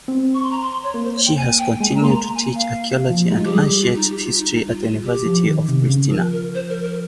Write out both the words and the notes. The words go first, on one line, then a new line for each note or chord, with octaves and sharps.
She has continued to teach archaeology and ancient history at the University of Pristina.
C4
C#6
C6
A#5
C6
C6
C#5
A#3
C5
C#5
G5
G#5
G5
G#3 G#5
A#5
A#3 C6
A#5
A#5
G#5
F5
F3
G#3 D#4
F4
F3 G4
G3 G#4
G4
F4
D#4
G4
F4
D#4
D#4
F4
F4
G4
F3
D#3
C3
C#3
F3 A#4
A#4
C5
A#4
A#4